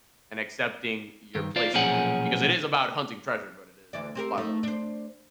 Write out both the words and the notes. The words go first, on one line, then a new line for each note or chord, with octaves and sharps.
and accepting your place in the world, because it is about hunting treasure, but it is a lot of other things.
G2 D#3
F4 C5 D5
B1 A#2 F3 C#4 G#4 F#5
D2 E3 D5
C4 G4 A#4
A3 D#4
D4 C5